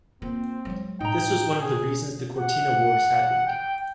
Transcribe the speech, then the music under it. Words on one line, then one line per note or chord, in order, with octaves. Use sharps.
This was one of the reasons the Cortina Wars happened.
A#3 C4 F4
F#3 G#3
A2 D#4 G5 A#5
G#4
F#5
G5